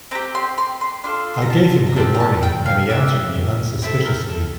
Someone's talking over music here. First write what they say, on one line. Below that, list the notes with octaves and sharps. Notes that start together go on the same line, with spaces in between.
I gave him good morning and he answered me unsuspiciously.
C4 G4 A#5
C6
C6
C6
D4 F4 A4 C6
C6
A#5
A5
A#5
C4 E4 G4 A5
A#5
A5
G5
F5
D4 G4 E5
C4 E4 A4
A#4
A4